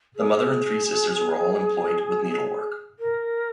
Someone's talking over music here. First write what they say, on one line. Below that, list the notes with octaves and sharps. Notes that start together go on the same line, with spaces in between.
The mother and three sisters were all employed with needlework.
G#4
A#4